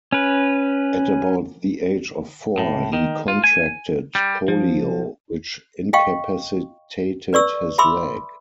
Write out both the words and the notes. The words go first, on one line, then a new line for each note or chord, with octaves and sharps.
At about the age of four he contracted polio, which incapacitated his leg.
C#4 B4
A2
D#3
F4
G#5
G3
F3
D#5 F5 G5 C#6
B4 D5 C#6 E6
E5 B5 C6 D6 E6